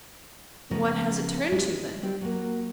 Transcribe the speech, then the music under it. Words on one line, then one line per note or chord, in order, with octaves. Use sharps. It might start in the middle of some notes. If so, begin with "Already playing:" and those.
"What has it turned to, then?"
C#3 F3 B3 C#4 A#4
G#3 G4 E5
G3 C4 D4
F#3 A#3